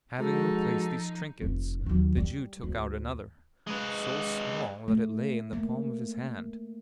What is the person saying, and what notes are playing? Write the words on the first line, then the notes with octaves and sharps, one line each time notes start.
Having replaced these trinkets, the Jew took out another: so small that it lay in the palm of his hand.
F3 G#3 D#4 F#4 A4
F1
D#2 F#3
G3
D2
G#3 B4
A3
A#3